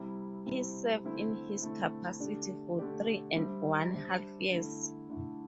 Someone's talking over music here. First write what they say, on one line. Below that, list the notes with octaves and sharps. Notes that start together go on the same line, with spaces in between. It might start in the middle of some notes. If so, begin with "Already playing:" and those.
He served in this capacity for three and one half years.
Already playing: C3 G3 C4 E4
C3 G3 C4 E4
D3 A3 C4 E4
D3 A3 C4 E4
D3 A3 D4 G4 D5
D3 A3 D4 G4 D5
G3 D4 C5 E5
G3 D4 C5 E5
D3 A3 E4
D3 A3 E4